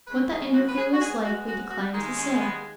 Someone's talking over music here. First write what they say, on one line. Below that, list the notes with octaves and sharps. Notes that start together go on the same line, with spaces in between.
What that interview was like we decline to say.
D#2 C#3 G#3 B4
G#4
F#4
B4
G#4
F#4
B2 G#3 G#4
F#4
F#4
F#4
D#2 D#3 G#3 D#4
C#4
C#4
B3